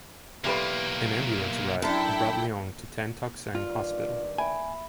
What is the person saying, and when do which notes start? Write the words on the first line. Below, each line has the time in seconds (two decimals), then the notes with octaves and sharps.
An ambulance arrived and brought Leong to Tan Tock Seng Hospital.
0.44 B1 E2 A#3 G4 B4
1.82 F#2 D4 E4 A4 G5
3.55 G2 D#3 F4 D5
4.38 E5 G5 G#5 B5